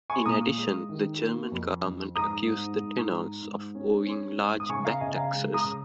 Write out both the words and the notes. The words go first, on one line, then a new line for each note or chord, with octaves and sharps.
In addition, the German government accused the tenors of owing large back-taxes.
G#5 C#6
A#2 A#5 D#6
G#3
D#3
A#3
F2
F2
G#2 A#5 D#6
G#2
G#2
G#2
G#2
C#4
C#4
G#2
D#6
C#3 G#5 C#6
F5 A#5
C#3 D#5 G#5
G#5
F5 A#5
G#3
A#5 D#6
C#3